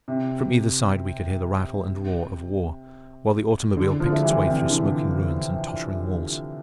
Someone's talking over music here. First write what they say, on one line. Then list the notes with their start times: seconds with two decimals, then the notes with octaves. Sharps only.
From either side we could hear the rattle and roar of war, while the automobile picked its way through smoking ruins and tottering walls.
0.08 C3
3.77 D3
4.00 D3 F3
4.12 A3
4.23 E3 G3
4.46 C3 E3
4.69 D3